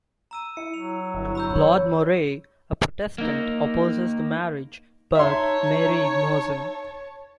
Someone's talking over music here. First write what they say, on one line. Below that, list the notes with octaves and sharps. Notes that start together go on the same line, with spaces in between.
Lord Moray, a Protestant, opposes the marriage, but Mary ignores him.
A#5 E6 D#7
E4 C#7
F#3 F7
G1 E4
B5 E6 G6
C#5
A#3 D#4
D#4 C#5 E5 A5 C6